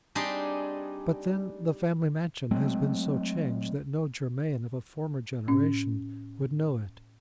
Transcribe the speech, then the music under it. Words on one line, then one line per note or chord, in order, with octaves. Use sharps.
But then the family mansion has been so changed that no Germain of a former generation would know it.
G3 C4 D4 D#4 G4 G#4
F#3 G#3 A3 C4
A2 C#4